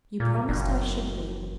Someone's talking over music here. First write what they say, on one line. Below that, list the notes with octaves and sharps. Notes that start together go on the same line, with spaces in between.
"You promised I should be."
A#2
F#1